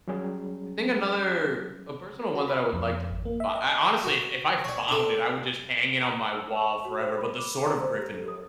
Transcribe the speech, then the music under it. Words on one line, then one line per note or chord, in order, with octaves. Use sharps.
I think another A personal one that I would like to bu I honestly, if if I found it, I would just hang it on my wall forever, but the sword of Gryffindor,
F#3 G3 C#4 G#4
F#4
B5
F2
G#1
A#3
E5
D#5
F#4
C#5 D5
D4 A4
A#5
E6
C#6
F#4
C5
B5
D6
A#5
C5
G4
A4
D#6